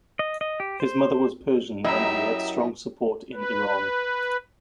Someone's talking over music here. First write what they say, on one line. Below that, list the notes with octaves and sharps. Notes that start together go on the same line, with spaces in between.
His mother was Persian and he had strong support in Iran.
D#5
D#5
G4
C5
F#2 E4 G4 D#5 E5 A#5
B4